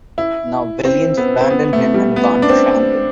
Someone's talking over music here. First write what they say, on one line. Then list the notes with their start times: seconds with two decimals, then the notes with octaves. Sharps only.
Now, Belion's abandoned him and gone to Shandon.
0.18 E4
0.85 C4
1.17 B3
1.41 C4
1.50 B3
1.73 A3
1.94 G3
2.16 B3
2.42 D4
2.50 C4